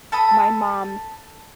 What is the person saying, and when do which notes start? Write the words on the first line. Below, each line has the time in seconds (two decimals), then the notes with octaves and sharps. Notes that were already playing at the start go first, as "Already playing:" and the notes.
my mom
0.12 A4 A5 B5 D#6